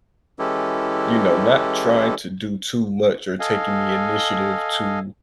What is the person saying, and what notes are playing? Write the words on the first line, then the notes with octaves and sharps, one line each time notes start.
You know, not trying to do too much, or taking the initiative to
E3 G#3 C#4 E4 G4 A4
A4 D#5 F5 G#5